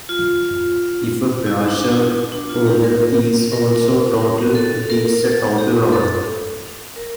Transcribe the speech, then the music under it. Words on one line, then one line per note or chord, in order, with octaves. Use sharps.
If a partial order is also total, it is a total order.
F4
E4
D4
E4
D4
F4
G4
A#4
A#4
A#4
A4
A#4
A4
G4
A4
A#4